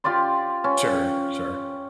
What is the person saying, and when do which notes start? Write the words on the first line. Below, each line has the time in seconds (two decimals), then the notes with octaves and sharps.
Sure, sure.
0.04 F4 G4 D5 C6
0.64 C#4